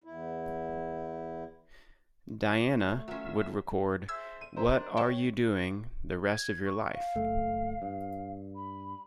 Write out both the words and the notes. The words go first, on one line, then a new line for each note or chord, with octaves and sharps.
Diana would record What Are You Doing the Rest of Your Life?
E2 E4
A3
F#3 C#4 F4 E5
G#4 C5 E5 E6 G#6
D#7
G#3 E4 C5 A#5
D#3 D4
F2 C#5 G5 A5 C#6
G#6
C#6
F5
F#1 A3
G2
B5